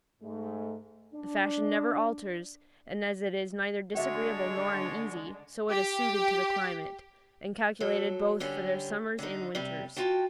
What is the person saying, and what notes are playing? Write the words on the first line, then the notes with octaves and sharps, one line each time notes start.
The fashion never alters, and as it is neither disagreeable nor uneasy, so it is suited to the climate, and calculated both for their summers and winters.
G#2 A3
D4
D3 G#3 D4 F#4 C#5 E5
G4
F#3 A4
D3 G3 C#4
D3 D#4
C3 G3
F4 F#4 G5 A5